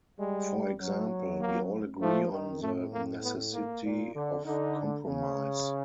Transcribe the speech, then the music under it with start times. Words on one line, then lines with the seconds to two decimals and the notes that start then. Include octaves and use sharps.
For example: We all agree on the necessity of compromise.
0.19 G3 G#3
0.80 F#3
1.41 A#3
2.01 F3 A3
2.31 D#3
2.62 A2 A3
2.93 A#3
3.23 B3
3.53 A#3
3.84 A#2
4.14 D3
4.45 D3 D#4
5.06 C#3